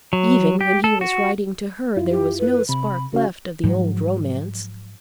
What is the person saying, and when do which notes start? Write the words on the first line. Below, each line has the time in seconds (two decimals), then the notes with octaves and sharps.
Even when he was writing to her there was no spark left of the old romance!
0.13 F#3
0.61 G4
0.84 A4
1.01 F#4
1.96 F#2 E4 F4
2.10 G4
2.40 B4
2.69 C3 B5
3.13 C#3 C#4 F#4 F5
3.64 G#2 F3 F#3